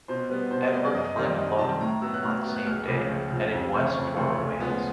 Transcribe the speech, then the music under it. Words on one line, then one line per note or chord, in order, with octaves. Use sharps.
Edward fled London on the same day, heading west toward Wales.
B2 C5
G3 B3 B4
B2 C5
D#5
G3 B3 D5
D5
F#2 D#5
D#5
D#3 G3 C4
D5
F#2 D#5
D#3 G3 C4 A5
A2 A#5
F#3 B3 E6
F#6
A2 F6
F#3 B3
F#6
C#2 F6
C#3 F3 D6
C#2
C#3 F3
F2
C#3 E3 A3 C4
F2 C#6
C#3 E3 A3 C4 C6
D2
C#3 F3 G#3 B3